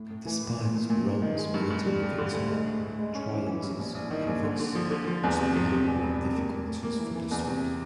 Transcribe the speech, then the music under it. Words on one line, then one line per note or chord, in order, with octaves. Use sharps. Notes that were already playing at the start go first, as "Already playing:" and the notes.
Despite Rome's military victory, Trajan's province was plagued with difficulties from the start.
Already playing: A2
A2
E3
A2
A#2
A#2
A#2
A#2
D#3
G#3
G2
G2
G3
G3
D3
D2
G#3
A2
A2
G#3
C#4
E3
E3
G2
A#1
A#1
D#3
A#1
D3
D3
F3
D3
F3
E2
C3
F3
C3
E2
E1
C3
A#3
A#3
A2
A#3
E3
E3
E2
C3